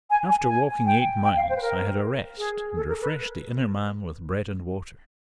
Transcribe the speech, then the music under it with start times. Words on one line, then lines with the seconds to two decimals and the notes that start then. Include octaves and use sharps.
After walking eight miles, I had a rest, and refreshed the inner man with bread and water.
0.10 G#5
0.29 G#5
0.48 G#5
0.86 G5
1.24 G5
1.36 F5
1.49 C5
1.56 B4
1.62 A#4
2.38 G#4
2.76 A4
2.89 A#4
3.02 B4